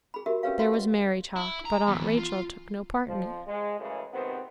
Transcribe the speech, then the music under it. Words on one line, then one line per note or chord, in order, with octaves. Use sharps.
There was merry talk, but Aunt Rachel took no part in it.
G#4 B5
F#4 G4 A#4 E5
C#4 G4 G#4 B4 C#5 F5
F5 F#5 C6
D#5
E4
A#5
E2
F4
F2 F3
G#3
F#2 A2 C#3 E3
C#2 C3 D#3 B3 C4